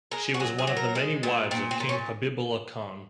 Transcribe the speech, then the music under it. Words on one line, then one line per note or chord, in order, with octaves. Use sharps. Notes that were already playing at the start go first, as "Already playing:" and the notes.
She was one of the many wives of king Habibullah Khan.
G#3 A#4
F#4
F#3 G#4
G#4
F#3
A#4
G#3
A#2
A#2 C4
C4
A#2
C#4